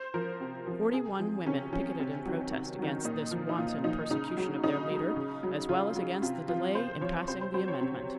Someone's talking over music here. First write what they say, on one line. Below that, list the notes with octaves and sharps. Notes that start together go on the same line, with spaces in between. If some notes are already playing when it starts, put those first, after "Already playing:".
Forty-one women picketed in protest against this wanton persecution of their leader, as well as against the delay in passing the amendment.
Already playing: C5
F3 A#4
C3
F3
C3 G#4
F3
C3 C#4
F3 C#4
C3
D#3 F#3
C3
D#3 F#3
A#2 D#4
F3
D#4
A#2 F4
F3 D#4
C#3 D#4
F#3
C#3 D#4
F#3
C#3
F#3
C#3 F4
F#3
C3 F4
F3 F4
C3 C5
F3 C#5
C3 C5
C5
F#3 C5
C#5
C3